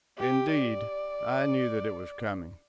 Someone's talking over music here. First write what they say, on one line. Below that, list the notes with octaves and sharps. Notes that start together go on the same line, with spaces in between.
"Indeed, I knew that it was coming."
G4
D5